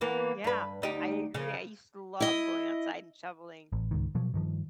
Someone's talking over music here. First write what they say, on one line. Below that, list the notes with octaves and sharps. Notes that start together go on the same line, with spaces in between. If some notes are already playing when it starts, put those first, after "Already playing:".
Yeah, I agree, I used to love going outside and shoveling,
E3 A#3 B3
G2 B4
D2 D#4 G4
C#3 F3
E4 D#5
A1
C#2 G#2 D#3
B2 F3 F#3
G2 D#3 F3